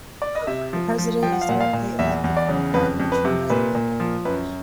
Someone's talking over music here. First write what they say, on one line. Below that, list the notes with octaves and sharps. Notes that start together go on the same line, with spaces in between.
The President is directly elected for a five-year term, by the people.
D5
D#5
C3 E5
F3
F3
F3 G5
F#5
F5
A#2 F#5
F5
A#2
E2 E5
E2
D5
C#3
F2 B4
F2
B4
C3
A#2 B4
A#2
F3
F#2 B4